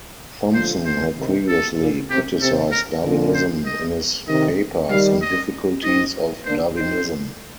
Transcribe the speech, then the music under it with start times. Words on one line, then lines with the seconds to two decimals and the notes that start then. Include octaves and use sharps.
Thompson had previously criticized Darwinism in his paper "Some Difficulties of Darwinism".
0.54 D3 F3 C5
0.86 C5
1.17 C3 D#3
1.49 A4
1.79 A#2
2.10 C3 G4
2.41 C3 A4
2.72 A#4
3.03 A#2 D3
3.34 C5
3.66 D#5
4.28 C3 D#3 D#5
4.90 D#3 G3 F5
5.22 D#5
5.83 C4 D#4 D#5
6.45 A#3 D4 C5
6.77 C4 D#4 C5